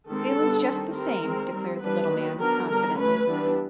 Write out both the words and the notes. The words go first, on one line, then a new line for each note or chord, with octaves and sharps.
"Feelin's jest the same," declared the little man, confidently.
D#3 G#3 C4 A4
D3 G3 B3 D4
D#3 G3 C4
G3 C4 A#4
D#3 G#3 C4
G3 C4
G3 B3 D4 B4
D#3 F#3 A#3
F#3 B3 D4 A#4
D3 G3 B3 D4 A#4
F#3 A3 C#4 B4
E3 G3 B3 D4